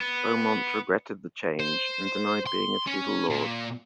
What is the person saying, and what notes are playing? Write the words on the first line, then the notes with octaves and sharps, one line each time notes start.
Beaumont regretted the change and denied being a feudal lord.
B3
C5
C6
C#4
A#2